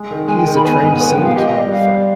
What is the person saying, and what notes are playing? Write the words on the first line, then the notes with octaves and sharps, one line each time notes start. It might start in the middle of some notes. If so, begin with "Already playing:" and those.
He is a trained Cinematographer.
Already playing: G#3
D#3
G#3 G#5
G5
D#3
B5
B3 G#5
G#2
B3 G#5
G5
F3
F5
G4 D#5
G3 D#5
G3 F5
D5